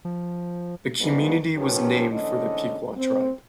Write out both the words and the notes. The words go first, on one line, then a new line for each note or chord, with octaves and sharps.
The community was named for the Piqua tribe.
F3
F3 G3 G#3 B3 D4 D#4
D#3 F3 F#3 C#4 G4 B4
G#2 D3 E3 C#4 D#5
C4